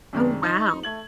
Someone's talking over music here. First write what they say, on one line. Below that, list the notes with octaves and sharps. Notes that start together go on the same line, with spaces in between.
Oh, wow.
F#2 C3 D#3 G#3 D4
D#4
A3 G#6 F#7